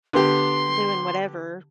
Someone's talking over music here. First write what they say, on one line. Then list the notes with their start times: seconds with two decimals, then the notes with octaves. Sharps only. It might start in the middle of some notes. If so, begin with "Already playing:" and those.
doing whatever,
0.13 D3 B3 G4 C6